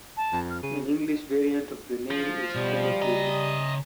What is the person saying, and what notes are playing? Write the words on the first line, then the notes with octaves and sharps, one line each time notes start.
An English variant of the name is Shallop River.
A5
F2
F6
C#3 D#7
F3
B2 G3
C#3 D#5 A#5